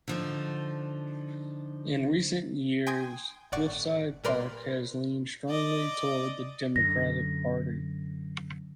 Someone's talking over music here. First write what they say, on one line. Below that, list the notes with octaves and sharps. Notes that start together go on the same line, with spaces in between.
In recent years, Cliffside Park has leaned strongly toward the Democratic Party.
D3 F3 D#4
G5 G#5 C6 D#6 G6 G#6
G1 A2 D5 F#5 C#6
A#2 G3 A#4 B4 D5 C6
D5 D#5
F#2 D3 A#6